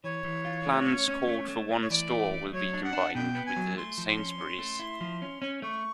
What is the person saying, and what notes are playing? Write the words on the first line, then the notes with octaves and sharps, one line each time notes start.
Plans called for one store will be combined with a Sainsbury's.
E3 C#5
E3
F4
A3
C#4
C#4
A3
A3
A3
C#5
E3 D5
A3
A3
F#3 C#5
D4
F#5
D4
B2 G5
B3
G#5
F#3
A3 C6
F3
C6
C#4
C#4
A3
E4
F3
C#4
C#4
A3 C#6